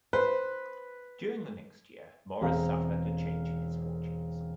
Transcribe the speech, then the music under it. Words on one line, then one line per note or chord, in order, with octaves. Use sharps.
During the next year Maurice suffered a change in his fortunes.
B4 C5
E1 C4 G#4 F5 A#5